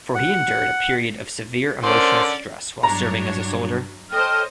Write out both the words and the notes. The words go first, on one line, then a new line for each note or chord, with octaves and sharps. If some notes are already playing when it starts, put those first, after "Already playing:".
For he endured a period of severe emotional stress while serving as a soldier.
F#5
D3 C#4 A#4 C5 D5
G2 F#3 D4 C#5 A#5
A4 C5 C#5 D#5 G5 F6